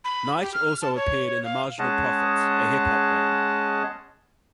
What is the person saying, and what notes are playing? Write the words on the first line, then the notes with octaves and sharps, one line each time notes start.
Knight also appeared in The Marginal Prophets, a hip-hop band.
B5
G4
F6
A5
C#5
F5
G#3 C#4 G#4 D#5 F#5 A5